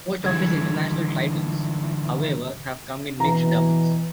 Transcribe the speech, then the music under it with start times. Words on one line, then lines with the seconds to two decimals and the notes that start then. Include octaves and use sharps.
Most of his international titles, however, have come in mixed doubles.
0.24 D3 E3 G3 G#3 G#6
3.20 B2 E3 A#5